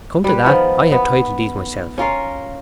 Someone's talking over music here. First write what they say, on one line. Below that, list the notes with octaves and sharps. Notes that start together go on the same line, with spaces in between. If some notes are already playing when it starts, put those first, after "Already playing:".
Come to that, I have title-deeds myself.
G3 B4
D#3 F3 B3
B3
C#4 F4 A#4 F5